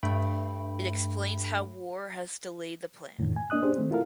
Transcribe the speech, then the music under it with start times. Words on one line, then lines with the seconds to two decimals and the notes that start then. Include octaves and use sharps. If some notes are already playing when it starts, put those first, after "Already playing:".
It explains how war has delayed the plan.
0.03 G2 A3 G5 B5
3.19 F2 A2 D3 D#3
3.36 G#5
3.50 A#3 D4 D#5 D#6 F#6
3.63 C#4 D4 G4 G#4 C5
3.77 D#3 A3 C4
3.91 E4 F4 A4 A#4 F5